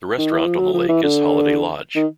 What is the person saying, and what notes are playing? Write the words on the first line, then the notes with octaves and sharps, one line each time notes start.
The restaurant on the lake is Holiday Lodge.
D#3
E3
F3
F#3
F3
E3
D3
D#3